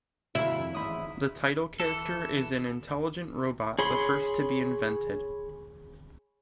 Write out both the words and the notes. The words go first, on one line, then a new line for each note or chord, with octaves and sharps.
The title character is an intelligent robot, the first to be invented.
D#2 G#2 C3 E4 F#4 F5
F2
A1 E2 G#2 E5 B5 D#6
E3 A4
G#4 C#5 B5 C6